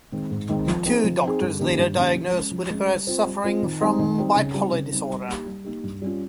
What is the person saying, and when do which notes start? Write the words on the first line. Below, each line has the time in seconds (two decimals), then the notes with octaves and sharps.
Two doctors later diagnosed Whitacre as suffering from bipolar disorder.
0.12 D#3 G#3 C4
0.31 G#2
0.49 D#3 G#3 C4
0.67 F3
0.86 C4 D#4 G#4
1.04 F3
1.23 C4 D#4 G#4
1.41 G2
1.59 D#3 A#3 C#4 G4
1.78 G2
1.96 D#3 A#3 C#4 G4
2.15 F3
2.33 G#3 C#4
2.52 F3
2.70 G#3 C#4
2.88 G3
3.07 C4 F4 C5
3.26 G3
3.44 C4 F4 C5
3.62 D#3
3.81 G3 C4 D#4
3.99 D#3
4.18 G3 C4 D#4
4.36 C#3
4.54 G3 C4 D#4
4.73 C#3
4.91 G3 C4 D#4
5.09 G3
5.28 A#3 D#4 G4
5.46 G3
5.65 A#3 D#4 G4
5.84 G2
6.02 G3 C#4 F4